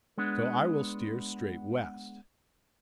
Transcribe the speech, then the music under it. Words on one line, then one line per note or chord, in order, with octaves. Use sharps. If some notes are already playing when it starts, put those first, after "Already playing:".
So I will steer straight west.
G#3 B3 D4